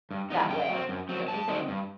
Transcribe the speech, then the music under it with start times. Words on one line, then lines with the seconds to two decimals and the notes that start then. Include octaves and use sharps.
that way, don't you think?
0.11 G2
0.30 E3 G3 B3 D#4
0.50 F#2 G5
0.69 F#3 C4
0.89 F#2
1.09 F#3 C4
1.28 G2 A5
1.48 D#3 F#3 C4 D#4
1.68 G2